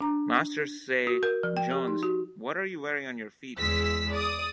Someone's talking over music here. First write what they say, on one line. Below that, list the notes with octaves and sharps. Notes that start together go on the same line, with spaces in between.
Masters say, "Jones, what are you wearing on your feet?"
D4 A#5
F#4
A#4
F3
G5
G4
D#4
F#4
E2 G#3 E6 B6
D5 D#6